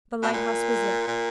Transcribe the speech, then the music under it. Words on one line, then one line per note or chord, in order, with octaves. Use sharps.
The lighthouse was lit.
B2
A#2
A#2